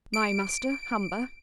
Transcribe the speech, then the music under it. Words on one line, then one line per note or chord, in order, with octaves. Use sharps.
My master, Hamper.
D7